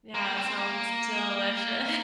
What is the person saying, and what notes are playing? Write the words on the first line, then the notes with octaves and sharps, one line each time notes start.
Yeah, that sounds deliciou
A#3
C4
A#3